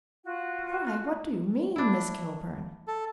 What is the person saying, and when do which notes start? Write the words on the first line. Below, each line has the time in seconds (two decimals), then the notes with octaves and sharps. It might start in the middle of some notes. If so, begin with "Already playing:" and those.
"Why, what do you mean, Miss Kilburn?"
0.24 F4 F#4
1.76 D4 E4
2.88 A4